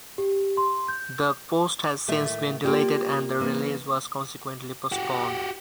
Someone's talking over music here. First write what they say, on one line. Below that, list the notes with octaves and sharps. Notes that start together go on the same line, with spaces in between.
The post has since been deleted and the release was consequently postponed.
G4
C6
G6
A2 D#3 A3 E5
A#3 F4 G4 D5
E3 A#3 C4 D4
F#4 G4